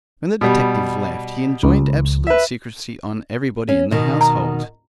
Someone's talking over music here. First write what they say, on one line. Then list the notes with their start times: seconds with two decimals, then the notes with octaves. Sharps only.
When the detective left he enjoined absolute secrecy on everybody in the household.
0.41 B2 G3
1.63 C#2
2.27 B4 E5
3.69 C#4
3.91 B2 D#3
4.21 A#5